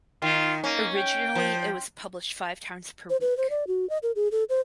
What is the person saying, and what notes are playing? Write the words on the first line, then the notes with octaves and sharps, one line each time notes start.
Originally it was published five times per week.
D#3 F4
A#3 C#4
G5
F3
C5
B4
C5
D5
F#4
D#5
A#4
G#4
A4
C5